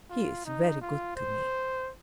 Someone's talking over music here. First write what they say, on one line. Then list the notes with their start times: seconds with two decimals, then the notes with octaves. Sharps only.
He is very good to me.
0.10 F4
0.46 D#4
0.81 F4
1.16 C5